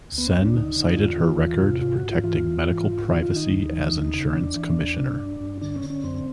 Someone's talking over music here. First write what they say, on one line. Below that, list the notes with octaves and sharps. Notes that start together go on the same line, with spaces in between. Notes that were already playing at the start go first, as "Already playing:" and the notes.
Senn cited her record protecting medical privacy as insurance commissioner.
D2
B3
C4
D2 C#4
D4
D3 D#4
D3
E2 F4
E3
E2
C3
G#2 F4
F#4
G#2
F4
E3 F4
E3
G#2
G#2
D#3 F4
F4
D#3
D#4
D#2
E3
D#2
C#3
E2 D4
E3
E2
C3
G2
G2
D3 D4
C#4
D3
C#4
F#2 C4